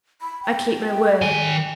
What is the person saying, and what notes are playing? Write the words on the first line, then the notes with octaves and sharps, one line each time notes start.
I keep my word.
B5
G5
D#3 G#5